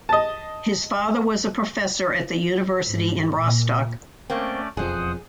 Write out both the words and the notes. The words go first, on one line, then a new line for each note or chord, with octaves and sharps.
His father was a professor at the university in Rostock.
D#5 A5
G#2
A#2
A3 A#3 C4 C#4 D5
E1 F2 F3 G#4 C5 F#5 D#6